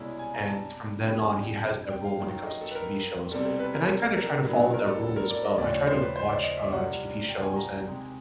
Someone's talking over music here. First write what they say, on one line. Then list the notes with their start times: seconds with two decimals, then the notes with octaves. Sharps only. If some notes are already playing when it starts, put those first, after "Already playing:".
and from then on, he has that rule when it comes to TV shows, and I kinda try to follow that rule as well, I try to watch, uh, TV shows and,
Already playing: C2 B2 G#3 C#4 E4
0.19 G#5
0.34 A#5
0.48 A5
1.04 F2 D3 G3 B3 E4
1.19 G#5
1.33 G5
1.90 G5
2.04 F5
2.19 F#2 D#3 F#3 A#3
2.47 D#5
2.61 A4
2.71 B4
2.75 A#4
3.31 C2 B2 G3 C4 A4
3.46 A4
3.59 B4
3.74 A#4
3.88 A4
4.02 A4
4.17 A#4
4.44 A2 F#3 B3 D4
4.74 A#4
4.87 A4
5.02 A4
5.16 A#4
5.30 D5
5.45 D#5
5.58 D#2 C#3 F3 A3 C#4 D5
5.73 C#5
5.87 C5
6.01 B4
6.16 C5
6.29 D5
6.43 D#5
6.57 E5
6.72 C2 A#2 G3 F#5
7.29 G5
7.42 G#5
7.56 A#5
7.85 C3 D#3 G#3